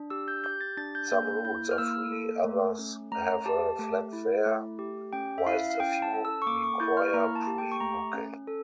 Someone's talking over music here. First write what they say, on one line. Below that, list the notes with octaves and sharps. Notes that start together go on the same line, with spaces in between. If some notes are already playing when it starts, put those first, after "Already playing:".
Some routes are free, others have a flat fare, whilst a few require pre-booking.
Already playing: D4
G4 E6
G6
G4 G6
A6
D4 A6
G6
A#3 G6
E4 G6
F6
A#3 E6
A4
A3
C#4
A3 A#5
G4 A5
A3
E4
A3
G4
C#4 G5
E5
E4 F5
F5
C#4 G5
A5
A4
E6
C#6
A#3 D6
C#6
E4 G6
F6
C#6
A#3 A#5
A5
G4
G5
C#6
A3 A#5
C#4
A4